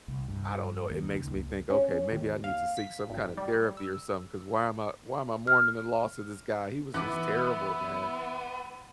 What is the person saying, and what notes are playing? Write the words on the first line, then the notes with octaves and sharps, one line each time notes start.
I don't know, it makes me think, "Okay, maybe I need to seek some kinda therapy or something 'cause why am I why am I mourning the loss of this guy?" He was just terrible, man,
C2
G2
D#2
C#2
C#4
D#2
F5
B6
G#1
G3
E6
F6
E3 B3 E5 D6 F#6